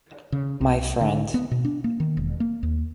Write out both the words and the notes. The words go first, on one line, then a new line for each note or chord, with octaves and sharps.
My friend.
C#3
C2
D3
B3
B2
D4
A#3
D#3
E1
A#3
D#2